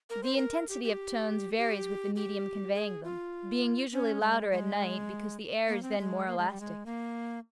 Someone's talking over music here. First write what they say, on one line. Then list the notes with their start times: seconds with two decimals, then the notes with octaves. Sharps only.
The intensity of tones varies with the medium conveying them, being usually louder at night because the air is then more elastic.
0.10 A#4
0.23 C5
0.37 A#4
0.69 G4
0.84 G4
1.58 G4
2.16 G4
2.74 G#4
3.04 F4
3.92 C#4
4.21 G#3
4.52 G#3
5.68 A#3
5.83 C4
5.98 G#3
6.27 A#3
6.38 G#3
6.50 G3
6.60 G#3
6.86 A#3